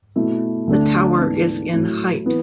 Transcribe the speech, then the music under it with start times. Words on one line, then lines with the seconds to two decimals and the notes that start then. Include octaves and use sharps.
The tower is in height.
0.16 B2 A3 E4
0.67 D2 D3 A3 D4
1.20 G#2 E3 B3 D4
1.73 A2 F#3 A3 E4
2.25 E3 B3